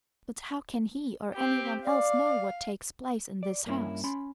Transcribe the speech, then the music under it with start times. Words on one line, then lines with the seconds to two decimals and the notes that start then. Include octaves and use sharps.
But how can he or any one else know what takes place in this house?
1.34 C4 G4
1.85 D5 F5
3.43 D5
3.66 G2 A#3 C#4 E4
4.04 C#4 B5 C6